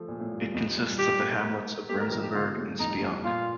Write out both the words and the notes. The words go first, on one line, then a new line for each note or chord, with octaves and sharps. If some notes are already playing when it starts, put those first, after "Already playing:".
It consists of the hamlets of Remsenburg and Speonk.
Already playing: F3 A3
A#2
A2
G2
G2
F2
G2
A#2
G2
D#3 G4
G3
A3
A#3
A#3
A3 G4
G3 A#4
D#3
F3 A#4
F3 G4
D3 F4
C3
A2
G2
F2 D#4
G2
A2
A#2 F4